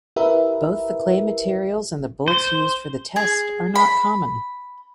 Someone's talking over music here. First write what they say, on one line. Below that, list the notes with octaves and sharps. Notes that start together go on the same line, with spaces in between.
Both the clay materials and the bullets used for the test are not common.
E4 G4 A#4 B4 E5
C5
G#4
B5